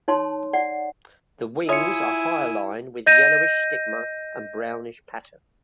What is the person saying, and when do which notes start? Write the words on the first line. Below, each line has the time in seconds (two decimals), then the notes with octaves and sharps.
The wings are hyaline with yellowish stigma and brownish pattern.
0.08 D#4 C#5 A5 C6
0.53 D5 F#5
1.69 E4 F4 C#5 E5 G#5 D#6 C#7
3.06 D#5 G6 A#6 D#7